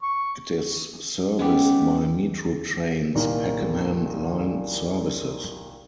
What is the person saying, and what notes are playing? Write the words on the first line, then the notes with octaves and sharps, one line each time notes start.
It is serviced by Metro Trains' Pakenham line services.
C#6
G#3 B3 C#4 G4
C2 A#2 D#3 A#3